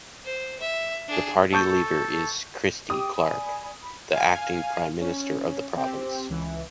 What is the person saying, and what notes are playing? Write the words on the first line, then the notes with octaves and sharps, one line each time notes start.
The party leader is Christy Clark, the acting prime minister of the province.
C5
E5
D4 G#4
A4 A5 C#6 G6
G4 G5 D6 D#6
D5 G#5 B5
B5
F5 G#5
C#4
C4 G4
C#2 E3